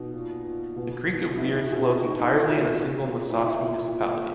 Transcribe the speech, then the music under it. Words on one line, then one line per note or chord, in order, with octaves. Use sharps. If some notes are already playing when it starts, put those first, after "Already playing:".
The creek of Liers flows entirely in a single Massat municipality.
Already playing: B2 D#4
A#2
A#2
B2
B2
E4
B2 D#4
E4
F#4
B2 G#4
F#4
A#2 D#4
D#4
A#2 E4
F#4
A#2
A#2
A#2 E4
E4
A#2
E4
A#2